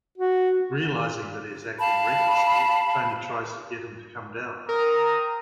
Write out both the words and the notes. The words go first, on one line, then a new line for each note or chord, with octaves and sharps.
Realizing that he is acting recklessly, Tony tries to get him to come down.
F#4
F5 A5 B5
C4 A#4 A#5 D#6